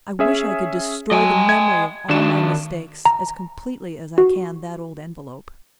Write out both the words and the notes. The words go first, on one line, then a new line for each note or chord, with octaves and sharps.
"I wish I could destroy the memory of all my mistakes as completely as I can that old envelope."
C#4 G#4 E5
F#3 D#5 G5 G#5
G#6
D#3 D4 F#4 E7
A#5
F#4